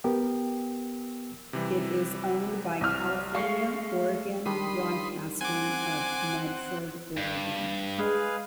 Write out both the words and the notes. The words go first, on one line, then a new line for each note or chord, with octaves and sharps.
It is owned by California Oregon Broadcasting of Medford, Oregon.
B3 G4 A#4 G5
C3 E3 G3
C2 F6
G#3 A3 F5 C#6 C7
D#3 G3 D4 B5 C6 D#6
C4 F#5 G#5 D6
G2
G#3 G#4 B4 F5